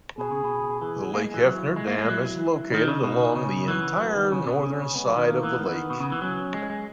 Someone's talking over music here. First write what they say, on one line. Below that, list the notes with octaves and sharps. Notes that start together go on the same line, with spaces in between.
The Lake Hefner Dam is located along the entire northern side of the lake.
B2 G#4
C#3
B2
E3 G#4
A#3
G#3
E3
F#3 E4
G#3
A#3
G#3
F#3 E4
D#3 D#4
C#3
B2
C#3 C#4
E3 B3
F#3
D#3
C#3 C#4
B2
C#3
B2
C#3
G#3 B3
F#3
D#3
D#3 A#3
E3
D#3 B3
E3
D#3
B2
C#3
E3
F#3 C#4
G#3
G#3